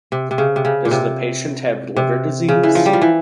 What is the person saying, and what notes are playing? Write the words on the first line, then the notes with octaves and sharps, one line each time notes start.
Does the patient have liver disease?
C3
C3
C#3
C3
C#3
A#2
C3
C3
C#3
E3
F3
G3
F3
E3